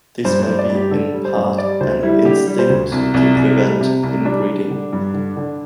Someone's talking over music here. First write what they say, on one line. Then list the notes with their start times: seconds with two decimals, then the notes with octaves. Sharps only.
This may be in part an instinct to prevent inbreeding.
0.24 G2 C5
0.42 G2 C5
0.59 D5
0.69 G2
0.75 G4
0.91 D3 A4
1.14 G3
1.25 C5
1.36 G2
1.58 G3 D5
1.80 D2 C5
2.03 G3 E4
2.25 D3 G4
2.47 G3
2.59 C5
2.70 D2
2.92 C2
3.14 C2
3.36 C2
3.59 G3
3.81 C3
4.03 C2
4.25 G3 D4
4.48 G3
4.70 D3
4.93 G2
5.14 D3
5.37 D3